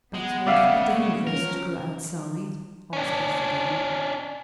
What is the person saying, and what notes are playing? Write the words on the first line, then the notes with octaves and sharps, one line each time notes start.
"But won't it be dangerous to go outside?" asked Mr. Damon.
G#3 B3 F#5
C#3 D5 E5 F5
F3 C#4 A#4
C#4 D4